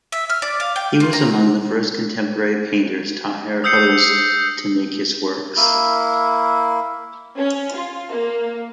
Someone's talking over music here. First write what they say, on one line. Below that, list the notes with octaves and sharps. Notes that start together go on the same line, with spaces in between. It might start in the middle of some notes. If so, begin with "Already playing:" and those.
He was among the first contemporary painters to hire others to make his works.
E5
F6
D5
F5
G5
F4
A#5
D#6 E6 G6 C7 C#7
A#3 E4
C#4
F4
A#3